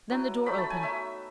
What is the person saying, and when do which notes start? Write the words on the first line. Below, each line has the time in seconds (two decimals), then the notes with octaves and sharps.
Then the door opened.
0.11 F#3 B3 E4
0.46 F#3 A3 D#4 B5
0.58 A5
0.70 G#5
0.82 F#3 A3 D#4 E5